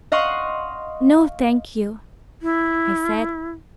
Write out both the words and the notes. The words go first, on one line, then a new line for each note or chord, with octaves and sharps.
"No, thank you," I said.
D#5 F5 F#5 C6 C#6
E4